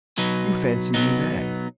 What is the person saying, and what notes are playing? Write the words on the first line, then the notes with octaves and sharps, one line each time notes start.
You fancy me mad.
B2 F#3 B3 D#4
B2 F#3 B3 D#4